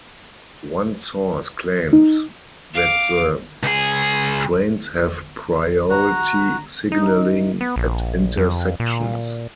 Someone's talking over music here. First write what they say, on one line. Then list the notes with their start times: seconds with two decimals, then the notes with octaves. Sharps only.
One source claims that the trains have priority signalling at intersections.
1.93 D#4
2.74 F5 D6
3.63 C#2 G#4
5.90 F#4 A#5
6.92 D#4
7.61 B3
7.76 A#1
8.37 F2
8.80 A#2